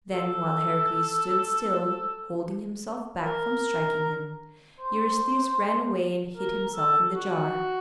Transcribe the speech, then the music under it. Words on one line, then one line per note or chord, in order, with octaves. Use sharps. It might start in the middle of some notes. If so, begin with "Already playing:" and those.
Then while Heracles stood still, holding himself back from striking him, Eurystheus ran away and hid himself in the jar.
A4
A#4
C5
A#4
A4
F#4